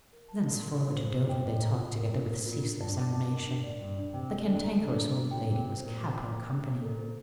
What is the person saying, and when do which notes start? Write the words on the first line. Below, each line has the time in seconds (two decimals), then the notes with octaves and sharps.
Thenceforward to Dover, they talked together with ceaseless animation. The Cantankerous Old Lady was capital company.
0.12 A#4
0.28 A5
0.45 A#2 F5
0.62 C6
0.79 F4
0.95 C5
1.12 C5
1.29 G5
1.46 A2 D#5
1.63 A#5
1.80 F4
1.96 A#4
2.13 A#2 D4
2.29 A#4
2.46 A#2 F4
2.63 D4
2.80 G2 A5
2.97 D6
3.13 A5
3.30 A#4
3.47 D4
3.63 D5
3.80 G2 D5
3.97 D4
4.13 C3 G5
4.30 G5
4.47 D3 C5
4.64 A#5
4.81 D3 A#5
4.98 A#5
5.14 A#5
5.31 G5
5.48 C3 C5
5.65 C5
5.81 A#2 C5
5.98 D6
6.15 G5
6.31 A#5
6.49 G5
6.65 A#5
6.81 A#2 A4
6.98 C5